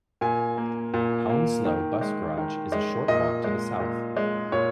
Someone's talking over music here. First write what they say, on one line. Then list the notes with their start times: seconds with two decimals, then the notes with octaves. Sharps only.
Hounslow bus garage is a short walk to the south.
0.21 A#2 G#5
0.58 A#3
0.94 A#2
1.29 A#3
1.65 D#3
2.01 G#3
2.37 D#3
2.72 G#3
3.08 A#2 D#5
3.44 G#3
3.80 A#2
4.17 G#3
4.52 A#2 C#5